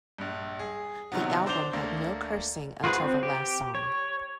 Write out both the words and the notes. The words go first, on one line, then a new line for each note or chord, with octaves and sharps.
The album had no cursing until the last song.
A#1 G2
G#4
A#1 C3 D#3 F#3 B3
D4 C5 D6 G6 F7 G7
D2 A#3 D4
F4 F#4 G#4 B4 C5
C4
G4
C#5